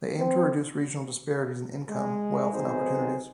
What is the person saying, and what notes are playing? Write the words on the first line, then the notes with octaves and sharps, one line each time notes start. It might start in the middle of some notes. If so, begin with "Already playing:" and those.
They aim to reduce regional disparities in income, wealth and opportunities.
C4
G#3
B1 D#3 C4 D#4 G#4 C5